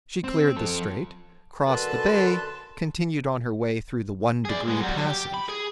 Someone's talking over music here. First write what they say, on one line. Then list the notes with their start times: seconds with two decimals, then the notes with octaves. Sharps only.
She cleared the Strait, crossed the bay, continued on her way through the 'One-degree' passage.
0.24 C4
0.56 F3 A4
1.67 F#2 D3 A4 B4 A5 C6
4.45 G#4 D5
4.68 G#3 B3
4.81 F#3 G3
5.07 G4
5.34 B5
5.49 G#4